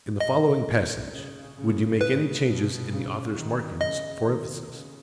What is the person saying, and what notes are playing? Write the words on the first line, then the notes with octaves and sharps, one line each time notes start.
In the following passage, would you make any changes in the author's markings for emphasis?
B2 D#5
C#3
C#3
C#3 B4
B2
C#3
D#3
C#3 D#5
D#3
C#3